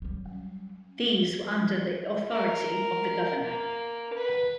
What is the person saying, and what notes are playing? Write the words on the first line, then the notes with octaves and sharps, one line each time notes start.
These were under the authority of the governor.
F#3 G3
A#4
A#3
B4